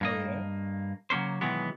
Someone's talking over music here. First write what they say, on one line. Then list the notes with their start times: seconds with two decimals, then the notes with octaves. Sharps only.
Oh, yeah?
0.01 G2 A#3 D#5
1.10 C#3 F#3 A#3 C#4 C5
1.41 B2 D#3 E3 F#3 G#3 B3